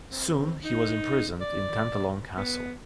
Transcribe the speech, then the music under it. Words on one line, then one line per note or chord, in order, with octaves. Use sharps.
Soon he was imprisoned in Tantallon Castle.
C4
D#4
D5
B3